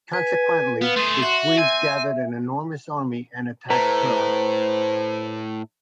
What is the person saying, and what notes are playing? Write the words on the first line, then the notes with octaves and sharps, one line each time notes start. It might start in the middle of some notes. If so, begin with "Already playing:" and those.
Consequently, the Swedes gathered an enormous army and attacked Curland.
B4 G#5
B3 F5
A3 G#4 C6
F#4 E5
C4 G#5
A2 A3 B4 C5 A#5